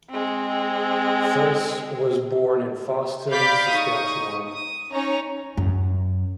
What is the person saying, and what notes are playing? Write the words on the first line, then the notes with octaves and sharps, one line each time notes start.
Flis was born in Fosston, Saskatchewan.
G#3 C4
D5 F5 B5 D6 G6 B6
D#4 C#6 D#6
D#6
C#4 D#4 C#5 A#5
F#2